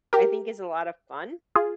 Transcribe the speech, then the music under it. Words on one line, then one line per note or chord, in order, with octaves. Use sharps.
I think it's a lotta fun
G4 A#4
F4 G#4